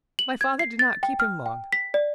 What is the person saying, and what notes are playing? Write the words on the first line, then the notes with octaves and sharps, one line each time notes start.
My father did not keep him long.
F#7
G#6
C7
A6
G5
F6
G5
B6
D5